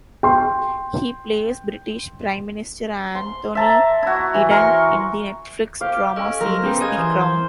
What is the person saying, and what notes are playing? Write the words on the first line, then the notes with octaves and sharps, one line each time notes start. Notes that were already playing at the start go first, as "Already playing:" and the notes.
He plays British Prime Minister Anthony Eden in the Netflix drama series, "The Crown".
G5 C6
C6
E5 A5 A#5
E4 F#4
E3
A#4 C6 C#6
G4 F5
C#4 A4 D#5
F#3 A#4 C5 F6 A#6
B2 C#4 G4 B4 G5
G#4 C#5 D#5 F5 G#5 G#6
E3 C5